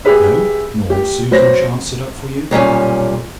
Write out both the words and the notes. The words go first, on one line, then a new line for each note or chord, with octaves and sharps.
No: nor Susan shan't sit up for you.
G4 G#4 B4 E5
G4
F#3 B4 C5 A#6
B1 A#2 G3 C#4